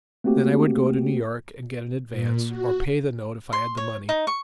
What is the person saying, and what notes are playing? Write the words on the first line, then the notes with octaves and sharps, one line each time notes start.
Then I would go to New York and get an advance, or pay the note if I had the money.
A3 A#3 C4 F#4 G4
A#2
F#4
C6
C#5
D#4
C#6